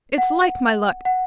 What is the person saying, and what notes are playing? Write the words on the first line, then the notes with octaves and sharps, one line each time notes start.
It's like my luck!
F#5
F#5